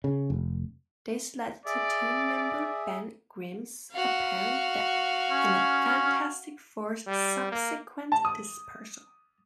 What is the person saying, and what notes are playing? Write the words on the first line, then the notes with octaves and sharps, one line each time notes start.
This led to team-member Ben Grimm's apparent death and the Fantastic Four's subsequent dispersal.
C#3
F1
G#4 D5 E5
F#4 F5
C#4
G3
A#3
A5
D#6